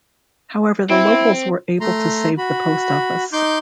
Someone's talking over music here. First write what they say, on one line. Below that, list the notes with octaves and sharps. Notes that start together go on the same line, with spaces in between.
However the locals were able to save the post office.
C4 E4
A3 A#5 C6
F#4 B5
D#4 C6 D6 G6